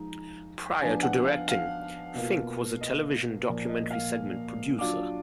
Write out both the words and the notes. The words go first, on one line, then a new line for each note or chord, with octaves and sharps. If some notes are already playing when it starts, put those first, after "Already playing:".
Prior to directing, Fink was a television documentary-segment producer.
Already playing: F3 G#3 D#4 A#5
F3 B3 D4 G#5
F#5
F5
F5
B2 A#3 F4
D#5
A#2 F3 A#3 D5
D#5
F5
F#3 D4 F4 D6